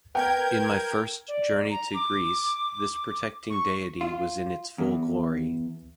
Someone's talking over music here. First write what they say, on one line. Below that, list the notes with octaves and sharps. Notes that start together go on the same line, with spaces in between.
In my first journey to Greece, this protecting deity was in its full glory.
A#4 B4 G5 G6 G#6
D5
A#5
D6
C#6
F4
E2